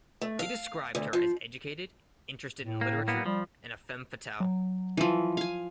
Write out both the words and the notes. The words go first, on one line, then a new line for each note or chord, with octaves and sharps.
He described her as educated, interested in literature, and a femme fatale.
A3
F5
D2
F3
A2
A#3
A#3 B3
F3 G3
F#3
E3 F3
F5 G#5